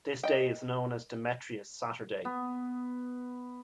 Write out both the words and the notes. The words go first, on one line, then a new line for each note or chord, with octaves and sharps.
This day is known as Demetrius Saturday.
D#5 G5
B3